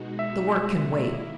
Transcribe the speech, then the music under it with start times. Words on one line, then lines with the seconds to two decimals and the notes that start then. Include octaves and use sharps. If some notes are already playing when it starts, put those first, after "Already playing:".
The work can wait.
Already playing: B2 G#3 D#4 F#4
0.19 E5
0.94 D#3 A#3 E4